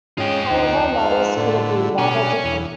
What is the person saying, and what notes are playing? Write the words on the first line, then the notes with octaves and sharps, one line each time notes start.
However, matters could have been rather different.
G#2 C#4 F4 D#5 G5
D2 D#4
G#2 F5
A2 D3
B2 D4 C#5 G#5
E2